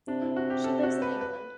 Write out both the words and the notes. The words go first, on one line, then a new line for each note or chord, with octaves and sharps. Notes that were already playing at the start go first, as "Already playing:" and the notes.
She lives in England.
C3 D4
E4
F#4
G4
A4
F#4
B4
B4